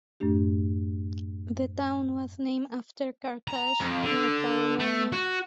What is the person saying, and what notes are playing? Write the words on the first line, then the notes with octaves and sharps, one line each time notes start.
The town was named after Carthage, North Carolina.
F#2 A2 A3 D4 G4
A#5
F2
D3
A3
F#4